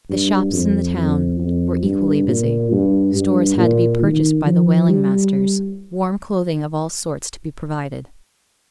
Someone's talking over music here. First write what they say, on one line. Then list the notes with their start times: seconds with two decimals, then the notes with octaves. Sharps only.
The shops in the town were equally busy; stores had to be purchased by the whaling-masters, warm clothing of all sorts to be provided.
0.10 G2
0.52 F2
0.97 F2
1.40 F2
1.83 G2
2.28 A#2
2.71 G2
3.15 G2
3.57 A#2
4.02 D#3
4.46 F3
4.89 G3